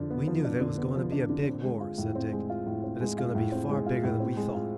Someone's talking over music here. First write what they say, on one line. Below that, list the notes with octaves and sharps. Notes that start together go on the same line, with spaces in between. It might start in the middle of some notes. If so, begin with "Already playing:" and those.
"We knew that it was going to be a big war," said Dick, "but it's going to be far bigger than we thought."
Already playing: D3 F3 D4
B3
F3
D4
D3
B3
F3
D4
D3
C4
G#3
F4
A2
C4
G#3
F4
A2
C4
G#3
F4
A2
C4
G#3
F4
A2
C4
G#3
F4